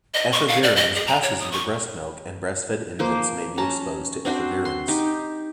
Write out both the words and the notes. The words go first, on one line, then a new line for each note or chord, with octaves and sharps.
Efavirenz passes into breast milk and breast-fed infants may be exposed to efavirenz.
D#5
C#6
F5
D5
D#5
G#4
A#5
C#5
D#6
C#6
F3 A#3 C5
C#4 A5 A#5
C4 D4 F#4 C5
C6
D#4 G4